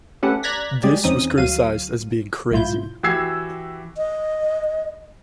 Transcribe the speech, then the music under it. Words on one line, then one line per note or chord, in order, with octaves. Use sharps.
This was criticised as being "crazy".
A3 C#4 G4 A4 B4 F#5
D5 A#5 F#6 G#6 A#6 B6
F#3 G#3 G4 G#4 D5
E2 C4 C#4 D#4 D#6
D2 F#3 F5 D#7
B1 G#2 E4 F4 G6
E3 F#4 G4 E6 G#6 C7
D#5